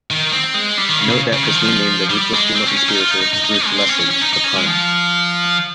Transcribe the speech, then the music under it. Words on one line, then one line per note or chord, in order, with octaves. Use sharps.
Note that Christie named the ruthless female conspirator "Ruth Lessing", a pun.
D#3
C4
G#3
G3
D#3
C#3
C#3
C#3
D#3
F3
G3
G#3
C4
C#4
C#4
D#4
F4
D#4
D#4
D#4
D#4
D#4
G#3
C4
C#4
C#4
C#4
D#4
D#4
C#4
G#3
F3